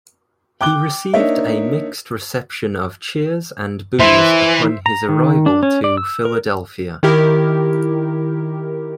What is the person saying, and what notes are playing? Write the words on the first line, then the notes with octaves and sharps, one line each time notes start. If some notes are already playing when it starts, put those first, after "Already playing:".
He received a mixed reception of cheers and boos upon his return to Philadelphia.
G5 D6 F#6 G7
A#3 D4 D#4 C#5 E5
E3 C5 E5 C6
A#5
D#3
D4
C#4
D5
E6
A#4
D#3 E4 G4 A#4